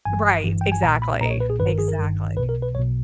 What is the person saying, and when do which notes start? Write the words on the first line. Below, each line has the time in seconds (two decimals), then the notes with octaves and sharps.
Right. Exactly. Exactly.
0.05 G1 G2 E3 G#5
0.44 G1 G2 E3
0.61 G5
0.72 G#5
0.82 B1 A#2 A#5
1.02 B5
1.21 A#2 A#5
1.25 B1 D#5
1.31 C#5
1.40 B4
1.50 G#4
1.59 G1 G2 D#3 B4
1.69 A#4
1.78 G#4
1.88 A#4
1.98 G1 G2 D#3
2.36 B1 B2 B4
2.49 A#4
2.62 B4
2.75 B1 B2 C#5